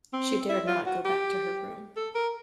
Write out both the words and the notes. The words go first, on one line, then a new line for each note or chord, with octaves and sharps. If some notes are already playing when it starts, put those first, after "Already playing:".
She dared not go back to her room.
C4
E4
F4
F#4
G4
A4
A#4